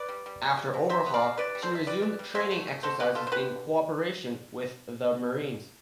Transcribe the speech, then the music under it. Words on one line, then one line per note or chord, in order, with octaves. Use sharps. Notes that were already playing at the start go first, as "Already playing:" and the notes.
After overhaul, she resumed training exercises in cooperation with the Marines.
Already playing: B4 D5
G3
G3
C3
G3
C3
C3 C5 E5
B3
D5 F5
C3
E3 B4 D5
G3
A4 C5
C3 E5
G3 B4 D5
E3
G3
B2 C5 E5
A3
A3
B2 A4 C5
B2 G4 B4
A3 F4 A4
C5
D3 G4 B4